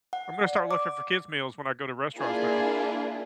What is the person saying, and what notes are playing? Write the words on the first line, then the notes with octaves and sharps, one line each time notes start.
I'm gonna start looking for kids meals when I go to restaurants now.
F#5
D5
D6
A#3 D4 E4 F4 G#4